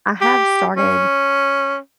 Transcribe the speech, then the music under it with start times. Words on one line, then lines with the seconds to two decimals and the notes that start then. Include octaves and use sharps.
I have started
0.21 G4
0.76 C#4